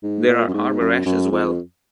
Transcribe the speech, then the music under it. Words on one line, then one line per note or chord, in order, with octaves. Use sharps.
There are Arbereshe as well.
G#2
A#2
F#2
G#2
F#2
F#2
F2